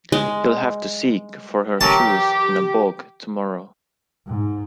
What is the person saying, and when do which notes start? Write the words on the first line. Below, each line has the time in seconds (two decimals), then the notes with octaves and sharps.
You’ll have to seek for her shoes in the bog tomorrow.
0.12 G#3
1.81 E3 F#3 G4 A#4 A5
4.28 G#2